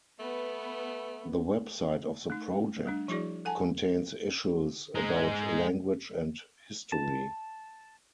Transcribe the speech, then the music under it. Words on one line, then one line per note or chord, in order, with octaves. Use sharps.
The website of the project contains issues about language and history.
A3 B3
A3 D#4
G3 A3 D4
F3 G3 E4 F#4 G#4 D5
A4 F#5 G#5 A5
G#3 D#4
A5